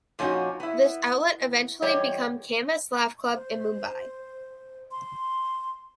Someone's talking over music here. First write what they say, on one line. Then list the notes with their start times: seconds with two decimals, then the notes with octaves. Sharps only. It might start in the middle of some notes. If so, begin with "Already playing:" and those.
This outlet eventually become Canvas Laugh Club in Mumbai.
0.19 A#2 F3 C#4 D#4 F#4
0.60 B3 E4
1.82 E2 G3 C#5 D#5
3.34 C5
4.91 C6